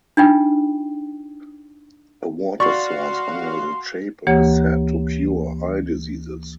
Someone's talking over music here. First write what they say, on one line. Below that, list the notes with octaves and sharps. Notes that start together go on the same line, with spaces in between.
A water source under the chapel is said to cure eye diseases.
D4 D#4 F4 G5
F#4 D5 F5 C6 C#6
D2 E3 A#3 G4 C#5 G#6